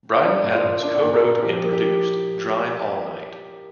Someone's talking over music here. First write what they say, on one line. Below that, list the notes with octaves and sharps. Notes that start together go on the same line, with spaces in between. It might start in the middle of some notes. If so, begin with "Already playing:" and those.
Bryan Adams cowrote and produced "Drive All Night".
A#3 D4 D5
A#2 D5
F4 F5
A#2
A#3 D4 D5
A#2
A#3 A#4
A#3
F3 G4
A#3
G4